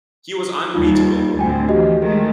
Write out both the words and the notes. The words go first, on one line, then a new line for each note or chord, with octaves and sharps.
He was unbeatable.
D#2 G3 D#4 F4
D2 A2 C4 G5 G#5
E3 F3 F#4 G4 D#5
D#3 G#3 A3 G#4